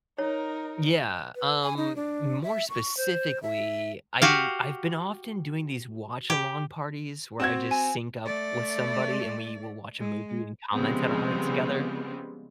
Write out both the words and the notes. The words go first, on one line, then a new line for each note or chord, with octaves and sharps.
Yeah, um, more specifically, I I've been often doing these watch-along parties where I just sync up with somebody, and we will watch a movie and comment it on it together.
D#4 A#4 C#5
B4
G#5
D#4
D4
E5
C#6
C5
E5
F#4 G4 F5
G4
C4 F#4 G#6
G#5
A3 D5
G#3
C#3 F3 G3 G#3 B3 C4